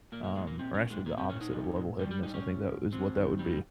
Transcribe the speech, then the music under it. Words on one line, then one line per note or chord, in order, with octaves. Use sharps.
um or actually, the opposite of level-headedness I think that is what that would be.
A#2 A#3
A#3
A#2 G#3
A#3
A#2 C4
C#4
A#2
G#3
A#2 A#3
C4
A#2 C#4
D#4
F3
A#2
G3 F4
G4
G#2 D#4
C#4
G#2
G#2
G#2 C4
D#3
G3